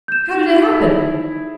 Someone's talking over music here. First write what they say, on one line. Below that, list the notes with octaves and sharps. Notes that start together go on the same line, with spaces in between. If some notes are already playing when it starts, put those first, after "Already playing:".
"How did it happen?"
G6 E7
D#4
E4 G#4